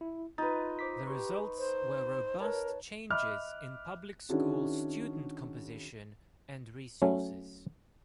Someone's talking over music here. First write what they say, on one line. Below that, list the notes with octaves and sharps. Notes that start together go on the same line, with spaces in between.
The results were robust changes in public school student composition and resources.
E4
D#4 F4 B4 A6
C5 D6 B6
G4 C6 C#6
C5
A#4 B4 C#5 A5
D#5 E5 B5 D6 F6 F#6
D#3 C#4 D4 E4 F#4 G#4
F#3 A3 C#4